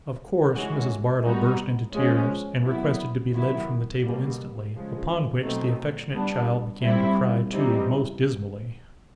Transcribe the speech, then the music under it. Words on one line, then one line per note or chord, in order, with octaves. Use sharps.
Of course Mrs. Bardell burst into tears, and requested to be led from the table instantly; upon which the affectionate child began to cry too, most dismally.
E3 G#3 C#4 F#4
G3 B3 D#4 F#4
F3 G#3 C#4
F#3 B3 E4
D#3 F#3 B3 E4
B2 G3 A#3
C#3 F3 G#3
B2 F#3 A3 C4 D#4
G3 B3 D4
G3 C4 E4
E3 G3 C4 D#4